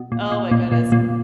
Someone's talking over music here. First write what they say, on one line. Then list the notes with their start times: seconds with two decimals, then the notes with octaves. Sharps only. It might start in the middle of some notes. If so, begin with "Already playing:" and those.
oh my goodness,
Already playing: B2
0.12 A#2
0.32 A#2
0.51 A#2
0.72 A#2
0.92 A#2